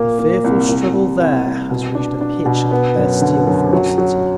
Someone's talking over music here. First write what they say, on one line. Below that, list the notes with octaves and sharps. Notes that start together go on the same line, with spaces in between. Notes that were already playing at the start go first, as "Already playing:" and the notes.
The fearful struggle there has reached a pitch of bestial ferocity.
Already playing: A#2 A#3
A#3
C2
C2
C2
C2
C2
B2
D4
D4
B2
B3
F#2
D3
F#2
F#3
F#3